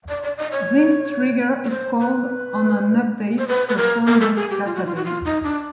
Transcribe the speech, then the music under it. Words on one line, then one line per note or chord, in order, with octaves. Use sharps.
This trigger is called on an update to a phone book database.
D5
D5
D#5
C#5
C#5
C5
B4
C5
B4
B4
A#4
A#4
A4
G#4
G4
F4
F#4
F4
F#4
F4
D#4
D4